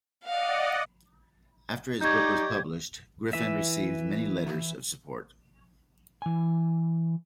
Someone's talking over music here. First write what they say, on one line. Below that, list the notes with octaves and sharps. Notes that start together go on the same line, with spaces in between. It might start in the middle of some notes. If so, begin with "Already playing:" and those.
After his book was published, Griffin received many letters of support.
D5 D#5 F5 F#5
D#4 G4 D5 D#5 C#6 G6 G#6
E3 E5
E3 G#5